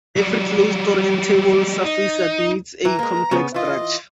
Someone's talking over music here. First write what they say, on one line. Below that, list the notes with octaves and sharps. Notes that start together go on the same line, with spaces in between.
Every closed orientable surface admits a complex structure.
F#3 G3
D#4
E3 A#5
G#3 A#3
C#3 B3
E3 F4 D#5